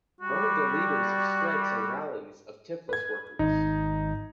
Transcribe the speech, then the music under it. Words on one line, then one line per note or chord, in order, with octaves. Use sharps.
One of the leaders of strikes and rallies of Tiflis workers.
G3 F#4
B4 G#6
G#1 D#4